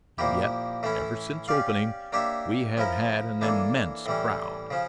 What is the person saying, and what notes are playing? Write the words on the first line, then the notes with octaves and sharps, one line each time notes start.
And yet, ever since opening, we have had an immense crowd.
A#2 F3 A#3 E4 G4
A2 E3 A3 C#4 E4
C#4 G4 D5 F5
A#3 D4 G4 C#5 E5
F3 C#4 E4 A#4
E3 A#3 D4 A4 C#5
A2 E3 G3 C#4
C#3 F3 C#4